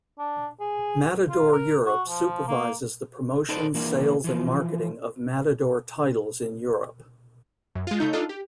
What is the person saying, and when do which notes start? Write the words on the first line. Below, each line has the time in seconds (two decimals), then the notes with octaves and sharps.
Matador Europe supervises the promotion, sales and marketing of Matador titles in Europe.
0.19 D4
0.60 G#4
1.30 F4
1.53 A#4
1.85 F#4
2.09 F3
2.47 A#3
3.49 D#4 A4 B4 C5 D5
3.74 E3 A#3 D4 E4
4.24 E3 F3
7.75 F#2
7.87 G#3 F4
7.99 C#3 A3 D#4 G6
8.13 D4 D#4 F4 A4
8.29 G4